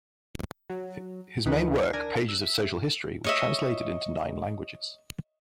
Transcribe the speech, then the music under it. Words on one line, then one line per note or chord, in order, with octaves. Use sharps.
His main work, "Pages of Social History", was translated into nine languages.
F#3
D2 D#3 E3 B4
D4 A#4 G#5 A#6
E6 F#6
E5
C#5 D#5 E5